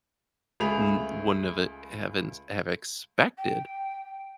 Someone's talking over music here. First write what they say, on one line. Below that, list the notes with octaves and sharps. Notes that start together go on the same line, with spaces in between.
n wouldn't have ev haven't have expected,
C#2 A3 G#4 B5 F7
G5